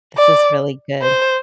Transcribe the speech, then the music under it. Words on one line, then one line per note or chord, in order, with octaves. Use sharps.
This is really good.
D5
C5